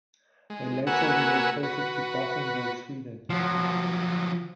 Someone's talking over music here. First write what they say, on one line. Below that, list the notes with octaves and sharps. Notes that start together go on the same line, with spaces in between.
They later re-located to Gothenburg, Sweden.
G#3
A#3 F#4 B4 F#5 G#5 E6
F#4 B4
F3 F#3